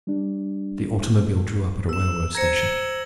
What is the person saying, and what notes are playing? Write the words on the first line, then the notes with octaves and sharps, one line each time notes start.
The automobile drew up at a railroad station.
G3 D4
E6 E7
C5 A#5 G#6 A#6 C#7
G#6 F#7 G7